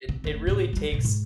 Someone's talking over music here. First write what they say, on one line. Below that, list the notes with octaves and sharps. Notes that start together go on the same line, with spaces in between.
it it really takes
C3
F1 A3
A2 C3
F3 G3
G2 B2
G#2